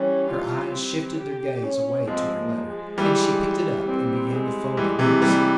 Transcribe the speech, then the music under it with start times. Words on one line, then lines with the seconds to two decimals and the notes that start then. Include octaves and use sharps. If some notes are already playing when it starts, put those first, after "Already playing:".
Her eyes shifted their gaze away to her letter, and she picked it up and began to fold it nervously.
Already playing: E3 G3 C#4
0.27 F4
0.72 C4
1.18 G4
1.63 C#4
2.07 F3 G#3 C4
2.38 A#3
2.67 G#3
2.98 E3 G3
3.87 C4
4.31 G#3
4.77 E3 G3
4.99 C3 E3
5.22 E3 G3